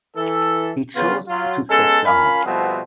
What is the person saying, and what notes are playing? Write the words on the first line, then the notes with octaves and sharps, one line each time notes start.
He chose to step down.
E3 A4
C#3 B3 F4
F#3 F4
G#3 B3 C#4 A4
C#4 F4 A#4 F5 B5
B2 F3 G3 A3 B3 C4